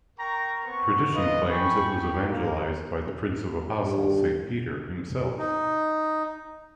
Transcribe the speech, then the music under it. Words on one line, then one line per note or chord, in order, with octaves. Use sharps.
Tradition claims it was evangelized by the Prince of Apostles Saint Peter himself.
A#4 G5 A#5 C#6
B3 C4 C#6
F4 A#4 B4 D#5
G5 G#5 B5 C#6
G4
A#3
G2
D#4